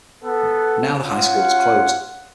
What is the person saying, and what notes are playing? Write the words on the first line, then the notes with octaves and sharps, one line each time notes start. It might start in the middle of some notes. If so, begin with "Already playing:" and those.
Now the high school has closed.
B3 A4
C#4 F4 F#5